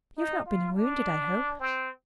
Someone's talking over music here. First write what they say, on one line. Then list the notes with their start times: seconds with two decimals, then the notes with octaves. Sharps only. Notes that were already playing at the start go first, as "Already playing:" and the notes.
"You have not been wounded, I hope?"
0.18 D#4
0.46 F4
0.75 D4
1.60 C4